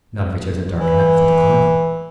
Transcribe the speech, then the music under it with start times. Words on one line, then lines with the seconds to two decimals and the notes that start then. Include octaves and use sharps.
"Not if he chose a dark night for the climbing."
0.79 E3